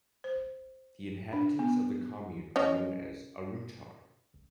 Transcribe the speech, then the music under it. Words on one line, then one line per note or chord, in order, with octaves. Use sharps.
The inhabitants of the commune are known as "Arruetar".
C5
D4
B3
C#4 C#5 D#5